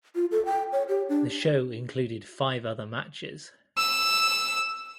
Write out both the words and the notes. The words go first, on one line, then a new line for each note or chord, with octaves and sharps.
The show included five other matches.
F4
A4
G5
C#5
G4
D4
E6